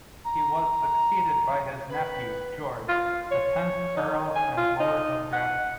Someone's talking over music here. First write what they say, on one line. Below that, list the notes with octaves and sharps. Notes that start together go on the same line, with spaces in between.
He was succeeded by his nephew, George, the tenth Earl and Lord of Grafton.
A#5
B4
F4
C#5
D#4
G#5
F4
D#4
F#5